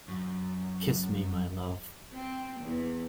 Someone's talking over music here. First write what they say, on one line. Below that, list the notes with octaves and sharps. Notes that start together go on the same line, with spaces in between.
Kiss me, my love.
F#2
C4
E2